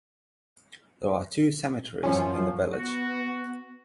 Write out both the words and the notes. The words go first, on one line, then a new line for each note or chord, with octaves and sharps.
There are two cemeteries in the village.
F#2 F3 C#4
B3 F#4